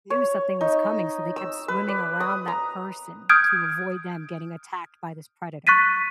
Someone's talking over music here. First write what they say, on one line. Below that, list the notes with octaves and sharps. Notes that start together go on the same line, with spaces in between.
knew something was coming, so they kept swimming around that person to avoid them getting attacked by this predator.
C#5
D#4
E6
B4
D5
D#6
A#5
D#6 F6 G6 G#6 D7
C#6 F#6 A6 B6 D#7